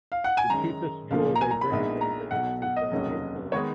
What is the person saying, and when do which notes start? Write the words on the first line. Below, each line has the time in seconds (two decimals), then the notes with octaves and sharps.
The chiefest jewel they bring from thence is their Maypole.
0.12 F5
0.24 F#5
0.37 G#5
0.50 F#2 D#3 G#3 C#4 A#5
1.11 B1 A#2 F3 A#3 F5
1.35 A#5
1.41 G#5
1.51 A#5
1.61 B5
1.71 A#1 A#2 G#3 B3 D#4
2.01 A#5
2.31 B1 B2 F#3 F#5
2.62 F#5
2.77 D#5
2.91 F1 D#2 C#3 F#3 C#4
3.52 D#3 G#3 B3 D#4 C#5